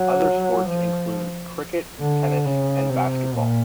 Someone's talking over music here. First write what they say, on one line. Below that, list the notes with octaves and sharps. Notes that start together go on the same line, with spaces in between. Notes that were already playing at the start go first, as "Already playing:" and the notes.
Other sports include cricket, tennis and basketball.
Already playing: F#3
F3
D3
C#3
C3
A#2